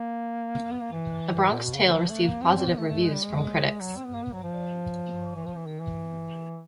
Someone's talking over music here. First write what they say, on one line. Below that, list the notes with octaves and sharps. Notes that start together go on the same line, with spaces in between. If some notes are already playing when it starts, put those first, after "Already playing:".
"A Bronx Tale" received positive reviews from critics.
Already playing: A#3
B3
A#3
E3
E3
A#2
B2
C#3
D3
F3
A3
A#3
C4
C4
B3
A3
A3
G#3
G3
G#3
F#3
C4
B3
A#3
B3
F#3
F3
E3
F3
E3
D#3
E3